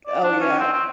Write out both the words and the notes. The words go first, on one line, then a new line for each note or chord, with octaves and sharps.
Oh, yeah.
D5
D4
C#4
C4
C4